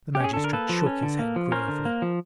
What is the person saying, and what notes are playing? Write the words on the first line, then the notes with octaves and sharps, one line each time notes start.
The magistrate shook his head gravely.
G4
C#4 G#4
D3 A4
A#4
A#3 A4 B4
F3
C#4
D3
A#3
F3
C#4 A#4 C5
D3
A#3
F3